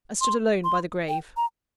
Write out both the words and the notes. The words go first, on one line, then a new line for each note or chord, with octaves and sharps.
I stood alone by the grave.
C6
C6
G5
A#5